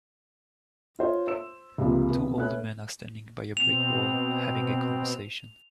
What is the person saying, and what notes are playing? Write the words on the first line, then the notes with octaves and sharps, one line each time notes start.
Two older men are standing by a brick wall having a conversation.
F4 C5 C#5
C5 E6 E7
C#2 G2 C3 F3 A#3
B1 C3 B3
A3 C#4 A4 B4 F#6
B2 C4 F7